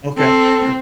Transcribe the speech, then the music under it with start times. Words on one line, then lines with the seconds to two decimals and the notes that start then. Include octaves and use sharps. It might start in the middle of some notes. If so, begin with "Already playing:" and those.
Okay, sure.
0.18 C4 A4